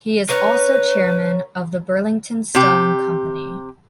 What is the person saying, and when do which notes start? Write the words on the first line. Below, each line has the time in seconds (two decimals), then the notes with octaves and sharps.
He is also chairman of the Burlington Stone Company.
0.29 C#4 A#4 B4 C#5
2.55 C3 G4